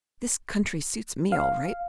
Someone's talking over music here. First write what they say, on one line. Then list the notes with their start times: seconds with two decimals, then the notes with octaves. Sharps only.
This country suits me all right.
1.32 F5